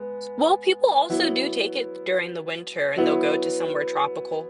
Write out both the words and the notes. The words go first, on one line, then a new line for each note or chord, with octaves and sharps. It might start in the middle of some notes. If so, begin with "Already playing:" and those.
Well, people also do take it during the winter, and they'll go to somewhere tropical.
Already playing: G#3 B3
F#3 B3 E4
F#3 B3 E4